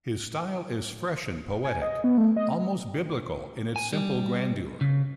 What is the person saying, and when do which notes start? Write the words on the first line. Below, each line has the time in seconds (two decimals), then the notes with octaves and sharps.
His style is fresh and poetic, almost Biblical in its simple grandeur.
1.64 G#5
1.82 D#5
2.04 B3
2.18 A3
2.37 D#5
3.76 G#5
3.93 G3
4.81 C#3